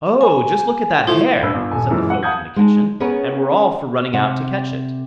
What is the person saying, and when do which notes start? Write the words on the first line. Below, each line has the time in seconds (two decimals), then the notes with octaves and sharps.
'Oh, just look at that hare!' said the folk in the kitchen, and were all for running out to catch it.
0.21 G#5
1.07 F3 A3 E4
1.42 A1 G2 B4 E6
1.54 G1
1.71 D#1 A4 G#5
1.90 F#2 A#2 E3 G#3
2.10 F#5
2.23 F5 F#5 A5 D#6 G6 G#6
2.56 G#3 D#4 G5 A5
3.00 B3 C#4 G#4 A#4 B4 C#5
4.13 C3 F#5